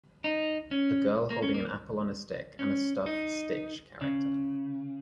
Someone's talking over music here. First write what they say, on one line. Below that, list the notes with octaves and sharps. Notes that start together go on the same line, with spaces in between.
A girl holding a apple on a stick and a stuff Stitch character.
D#4
C#4
A#3
C#4
A#3
C#4
D#4
C#3